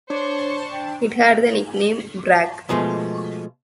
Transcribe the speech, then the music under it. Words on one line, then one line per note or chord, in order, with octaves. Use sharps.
It had the nickname "Brack".
D4 C5 C#5 C#6
G5
B2 F3 G#3 A3